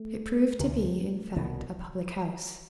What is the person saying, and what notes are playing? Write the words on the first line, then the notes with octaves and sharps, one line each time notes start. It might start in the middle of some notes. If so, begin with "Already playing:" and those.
It proved to be, in fact, a public house.
Already playing: A3
D2 C3
C2 B2